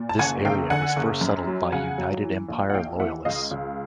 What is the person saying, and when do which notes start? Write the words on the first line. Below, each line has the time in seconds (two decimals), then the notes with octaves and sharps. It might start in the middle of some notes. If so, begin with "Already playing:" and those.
This area was first settled by United Empire Loyalists.
Already playing: A#2
0.09 A5
0.19 F#1 F#5 G#5
0.45 F#1 F5 G5
0.70 D3 F#5 G#5
0.96 F#1
1.21 F#2
1.47 F#3
1.72 C#3 F#5 G#5
1.98 F#3
2.24 E3
2.49 A#1
2.70 F#5
2.74 A#1 F5 G5
2.99 E3 E5 F#5
3.25 C#2 D#5 F5
3.51 C#2